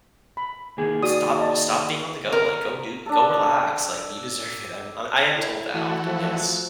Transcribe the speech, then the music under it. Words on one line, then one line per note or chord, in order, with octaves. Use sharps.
"Stop stop being on the go. Like, go do go relax, like, you deserve it." I'm I am told that often, yes.
B5
D#3 A#3 G#4
F#4 D5 D#6
D5 D#5 A5
A#4
D4 A4
E4
E3 A3 E4 F#4
F3